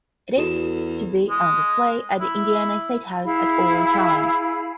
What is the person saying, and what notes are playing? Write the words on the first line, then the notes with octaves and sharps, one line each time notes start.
It is to be on display at the Indiana Statehouse at all times.
E2 F#4 A4 E7
G#3
E4
E4 G#4 F5 B5